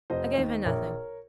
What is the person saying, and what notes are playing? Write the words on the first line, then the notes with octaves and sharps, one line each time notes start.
'I gave her nothing.
F1 C5 D#5
D#2 D#3
A#1 A#4 C#5